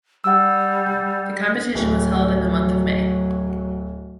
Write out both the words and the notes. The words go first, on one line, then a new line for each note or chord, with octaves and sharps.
The competition was held in the month of May.
G3 F#5 E6
D1 F#3